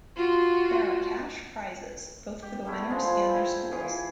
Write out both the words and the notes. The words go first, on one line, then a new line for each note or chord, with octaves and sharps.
There are cash prizes, both for the winners and their schools.
F4 F#4
G4
G3 A3 B3 E4
F3 G#3 C5 F5
G#5 B5
E4 G#4 G5
E3 F4 G#4